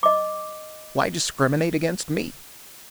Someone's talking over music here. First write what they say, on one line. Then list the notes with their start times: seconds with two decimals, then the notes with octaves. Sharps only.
Why discriminate against me?
0.03 D#5 D6